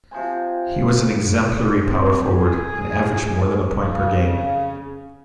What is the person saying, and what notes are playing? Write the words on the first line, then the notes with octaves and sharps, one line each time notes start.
He was an exemplary power forward, and averaged more than a point per game.
C3 F3 C5 G#5
C4
G#4
C#3